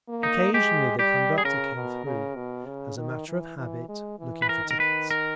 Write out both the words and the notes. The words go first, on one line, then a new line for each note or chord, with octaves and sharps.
Occasionally the conductor came through, as a matter of habit, looking for tickets.
A#3
D#4
G#3 G4
G3 G4
G#4
C#3 A#4
B2
C#3
B2
C#3
D#3
E3
E3
G#3
E3
B4
A#4
D#3
A#4
B4
A#4